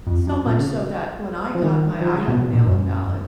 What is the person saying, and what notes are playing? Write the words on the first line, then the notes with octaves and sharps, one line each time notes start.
so much so that when I got my I had a mail-in ballot,
F2
F#2
A#2
C#3
F3
D#3
F3
C#3
B2
B2
A#2
F#2